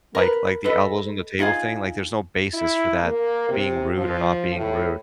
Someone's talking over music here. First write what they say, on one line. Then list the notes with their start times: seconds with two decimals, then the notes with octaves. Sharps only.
like like, the elbows on the table thing, like, there's no basis for that being rude or not being rude.
0.15 A#4 B4
0.64 A4 B4 D#5
1.39 D#4 F4 G#4 F5
2.54 E4
3.03 A#3
3.49 C3
3.97 F3
4.56 A2